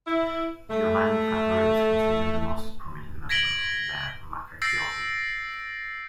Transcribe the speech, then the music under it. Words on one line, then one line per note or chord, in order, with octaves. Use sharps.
Giovanni Fattori is considered the most prominent member of the Macchiaioli.
E4
A3
G#6 A#6 B6 D7 F#7 G7
E6 G6 A6 A#6 C7 D7